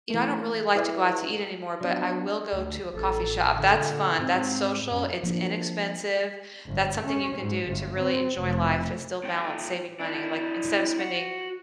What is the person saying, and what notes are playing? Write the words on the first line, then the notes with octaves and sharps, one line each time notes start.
you know, I don't really like to go out to eat anymore, but I will go to a coffee shop- that's fun, that's social, it's inexpensive. That's something you can do to really enjoy life and still balance saving money- like, instead of spending
E3 A3
E4 G#4 B4 D5 E5
F#3 B3 D4
D2
A1 A4
D3
A#2
G#2 C4
F#2 C#4
F3 A#3 D4
G1
C#4
G#2
G1
C4
F1
A#2 G5
D4 E4
F#4